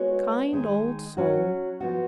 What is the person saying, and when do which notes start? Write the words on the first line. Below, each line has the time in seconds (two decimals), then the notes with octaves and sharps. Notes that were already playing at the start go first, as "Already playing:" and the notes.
Kind old soul!
Already playing: G#3 B3 F#4 C#5
0.52 D#3 G#3 D#4
1.17 F#3 C#4 F#4
1.81 F3 B3 F#4